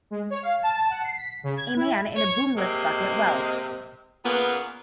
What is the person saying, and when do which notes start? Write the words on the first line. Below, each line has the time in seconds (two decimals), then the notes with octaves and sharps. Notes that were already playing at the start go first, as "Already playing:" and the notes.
A man in a boom lift bucket welds.
0.11 G#3
0.30 C#5
0.43 F5
0.63 A5
0.90 F#5
1.04 C7
1.17 B6
1.43 C#3
1.57 G#6
1.76 E4
2.16 C#5
2.57 C3 G#3 A#3 C4 D#5
4.25 A#2 C#3 A#3 B3